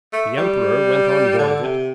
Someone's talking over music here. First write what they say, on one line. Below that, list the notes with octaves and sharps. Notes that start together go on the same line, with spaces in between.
The emperor went on board of it.
A3
G3
D3
C3